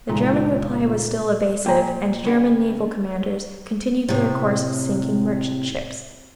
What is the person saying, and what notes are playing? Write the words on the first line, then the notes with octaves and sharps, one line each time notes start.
The German reply was still evasive and German naval commanders continued their course of sinking merchant ships.
G#1 C#2 A#2 A#5
A#2 G5 G#5 A#5
C#3 B3 D4
A2 C3